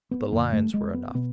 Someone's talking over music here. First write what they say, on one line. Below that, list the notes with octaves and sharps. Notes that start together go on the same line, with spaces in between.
But the lines were enough.
B3
F#2 D3 A#3
A3
G#3
B3
B2 B3